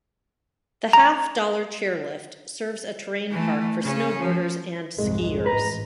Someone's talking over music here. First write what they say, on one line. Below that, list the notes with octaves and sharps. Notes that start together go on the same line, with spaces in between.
The Half Dollar chairlift serves a terrain park for snowboarders and skiers.
A#5
E3 A3
C#3 C#4
F3
C2 F2 G#2 G#3
A1 B4 A#5